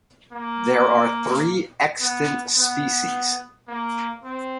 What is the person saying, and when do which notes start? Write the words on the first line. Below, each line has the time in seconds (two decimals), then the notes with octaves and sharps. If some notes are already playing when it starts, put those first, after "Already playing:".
There are three extant species.
0.32 A#3
2.01 B3
2.57 B3
3.68 A#3
4.24 C4